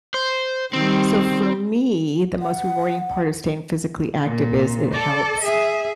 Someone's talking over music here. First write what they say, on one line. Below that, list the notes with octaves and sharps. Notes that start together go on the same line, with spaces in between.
So, for me, the most rewarding part of staying physically active is, it helps,
C5
D#3 G3 C4
F#5
A#2
A4 D5
G#4 E5